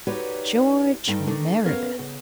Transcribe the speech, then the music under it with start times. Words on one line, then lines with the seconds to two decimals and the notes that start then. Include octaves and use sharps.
George Meredith?
0.07 D#4 F#4 G4 B4 C#5 D5
1.07 G2 A3 D#4 G5
1.27 D#3 A3 D4 A#4
1.65 B3 C#4 A#4 F5
1.99 C#3